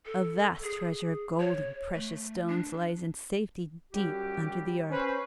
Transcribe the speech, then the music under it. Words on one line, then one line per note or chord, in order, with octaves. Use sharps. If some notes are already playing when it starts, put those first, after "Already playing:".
A vast treasure of gold and precious stones lies in safety deep under the earth.
A4
G#4
C#5
A3
D4
F#2 G3 G4
C#4 B4 C5